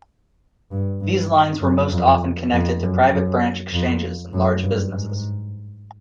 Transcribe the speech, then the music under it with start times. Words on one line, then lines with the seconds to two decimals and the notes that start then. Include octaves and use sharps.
These lines were most often connected to private branch exchanges in large businesses.
0.72 G2
1.01 G2
1.61 F#2
1.92 F2
2.52 F2
2.82 F#2
3.12 F#2
3.73 F2
4.33 F#2
4.63 G2
4.93 G#2